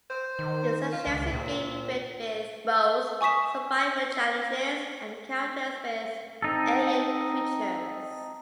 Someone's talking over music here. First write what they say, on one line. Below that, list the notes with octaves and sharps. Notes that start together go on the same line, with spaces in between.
It suggests a game filled with both survival challenges and encounters with alien creatures.
C5
D#3
F4
C#2
A#2 C4
G#5 C#6 D#6 B6 E7
C4 D#4 A4